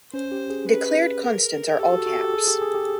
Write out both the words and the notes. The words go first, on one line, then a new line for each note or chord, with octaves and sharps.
Declared constants are all caps.
C#4 C5
G4
G#4
B4
A#4
G4 A4
F#4
F#4
G4
G#4
G4
G#4
G4